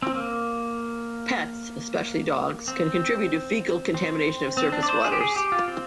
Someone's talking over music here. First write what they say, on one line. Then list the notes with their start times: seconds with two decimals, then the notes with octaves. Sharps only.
Pets, especially dogs, can contribute to fecal contamination of surface waters.
0.02 C4
0.15 A#3
2.68 C4
3.94 C4
4.57 C4
4.72 D4
4.83 D5
4.89 C5
5.04 G#4
5.12 G4
5.21 G#4
5.36 G4
5.52 F4
5.68 C4